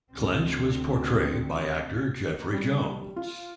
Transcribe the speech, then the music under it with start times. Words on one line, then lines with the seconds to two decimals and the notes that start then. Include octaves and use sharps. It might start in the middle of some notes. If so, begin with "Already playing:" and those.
Clench was portrayed by actor Jeffrey Jones.
0.12 D2 C4
2.53 G3
3.16 F4